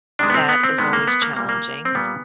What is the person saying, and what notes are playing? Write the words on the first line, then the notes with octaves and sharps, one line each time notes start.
that is always challenging,
C3 D#3 G#3 D4
B3
C4
B3
C4
C3 D#3 G#3 B3
A#3
B3
A#3
A#2 G3 A#3
A#3
C4
A#2 G3 A#3 B3